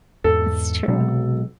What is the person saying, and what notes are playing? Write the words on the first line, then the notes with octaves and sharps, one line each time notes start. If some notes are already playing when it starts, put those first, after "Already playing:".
it's true.
E2 G#2 A4
B1 C3 F#3 G#3